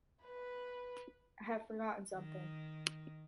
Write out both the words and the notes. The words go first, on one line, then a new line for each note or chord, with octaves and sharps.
I have forgotten something.
B4
D#3